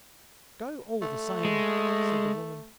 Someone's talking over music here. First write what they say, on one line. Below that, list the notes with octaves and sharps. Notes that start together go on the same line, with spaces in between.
"Go, all the same," said the woman.
A3
G#3